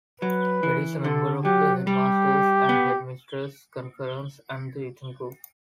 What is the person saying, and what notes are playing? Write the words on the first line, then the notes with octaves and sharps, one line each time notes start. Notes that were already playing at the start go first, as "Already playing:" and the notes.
It is a member of the Headmasters' and Headmistresses' Conference and the Eton Group.
F#3 B4
E3
D3 A4
F#3 G4
G3 G4
B3